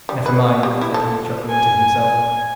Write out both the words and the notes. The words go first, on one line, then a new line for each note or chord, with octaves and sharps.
"Never mind," said he, chuckling to himself.
G3
B4
G3
E4
A4
G#5
G#5